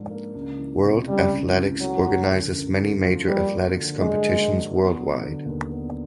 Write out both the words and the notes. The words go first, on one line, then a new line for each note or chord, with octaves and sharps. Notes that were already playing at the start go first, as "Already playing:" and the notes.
World Athletics organizes many major athletics competitions worldwide.
Already playing: G#2 F3 A#3 D4
A#3
C#2
E3
C3
C#2 G3
C#2
E3
F#3 A3
F3
D3
F#2
A3
F3
G3 A#3
F#3
D3
G2 G#3
A#3
F#3
B3
F#3
D3
D#2
B3